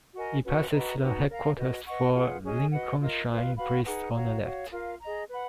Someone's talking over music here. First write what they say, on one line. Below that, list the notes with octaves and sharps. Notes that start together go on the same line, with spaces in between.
It passes the headquarters for Lincolnshire Police on the left.
F#4 A#4 D#5 G#5
C#4 F#4 B4
F#4 B4 D#5 A#5
D#4 F#4 B4
A#4 F5 A#5
F#4 B4 D#5
B4 D#5 F#5 C#6
F4 G#4 B4 F#5
C#4 G#4 D#5 G#5
F#4 B4 D#5 F#5
F4 A#4 D#5
F4 B4 F5
F#4 B4 F5 B5
D#4 G#4 B4 F#5
F#4 C#5 F5 A#5
F#4 C#5 F5
F4 A#4 F5
G#4 D#5 A#5
B4 F#5 B5